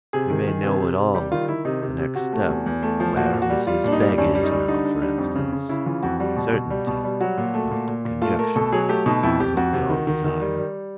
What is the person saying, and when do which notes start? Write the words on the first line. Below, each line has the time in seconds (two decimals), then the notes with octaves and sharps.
"We may know it all, the next step; where Mrs. Begg is now, for instance. Certainty, not conjecture, is what we all desire."
0.13 C3 G#4
0.30 D#3
0.47 D#3
0.63 C3
0.80 C3
0.97 C3
1.14 G3 G4
1.31 D#3 F4
1.48 D#3 E4
1.65 C3 D#4
1.82 C3
1.98 C3
2.15 C3 F#4
2.33 A3
2.50 E2
2.66 E2
2.83 A3
3.00 F3
3.16 A#2 F#4
3.33 A#2
3.42 F#4
3.50 G3
3.67 G3 F4
3.84 A#2 D4
3.92 D#4
4.01 G3
4.18 F#2 D4
4.35 G3
4.43 D#4
4.52 G3
4.68 D3 D#4
4.85 D3
5.02 G3
5.18 F2
5.36 C#3
5.52 C#3
5.69 C#3 E4
5.86 E3 F4
6.03 F2 F#4
6.19 G3 F#4
6.37 B2
6.53 B2
6.70 G3
6.87 B2
7.04 G3
7.20 F#3 F#4
7.38 A#2
7.54 A3
7.71 A#2
7.88 A#2
8.05 A#2
8.22 A3 F4
8.39 A3 A#4
8.56 B2 A4
8.72 F#3 G#4
8.89 A3 G4
9.06 B2 D#4
9.23 F2 E4
9.40 F2 G4
9.57 F2 F#4
9.73 C3
9.90 D#3
10.07 D#3
10.24 D#3
10.41 G3
10.58 G3